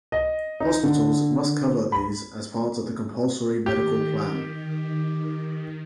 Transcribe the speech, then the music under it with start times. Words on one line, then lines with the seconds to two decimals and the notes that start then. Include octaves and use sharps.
Hospitals must cover these as part of the Compulsory Medical Plan.
0.12 D#5
0.60 D#4
0.83 D3
1.92 B5
3.66 D#3 G4